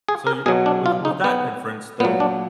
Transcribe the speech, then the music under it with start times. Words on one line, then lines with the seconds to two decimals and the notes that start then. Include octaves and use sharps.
so you with with that inference, then
0.09 G#4
0.27 A#4
0.46 B2 F#3 G#4
0.66 D4
0.86 F4
1.05 D#4
1.24 B3
2.00 A#2 B3
2.05 F#3
2.20 D4